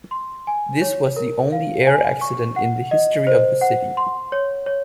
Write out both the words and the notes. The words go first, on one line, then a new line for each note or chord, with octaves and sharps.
This was the only air accident in the history of the city.
C6
G#5
C#5
A#4
F5
G#5
C#6
F#5
D#5
C5
F#5
C6
C#5
C#5